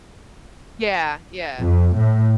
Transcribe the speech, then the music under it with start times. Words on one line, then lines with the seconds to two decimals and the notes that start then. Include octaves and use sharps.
Yeah, yeah.
1.59 F2
1.96 A2